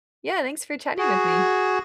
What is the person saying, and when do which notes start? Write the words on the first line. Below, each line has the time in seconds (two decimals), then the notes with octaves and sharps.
Yeah, thanks for chatting with me.
0.98 F#4 G#4